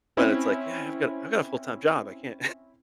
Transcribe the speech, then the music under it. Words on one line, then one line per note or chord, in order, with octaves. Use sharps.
but, it's like, "Yeah, I've got I've got a full time job I can't"
C4 C#4 E4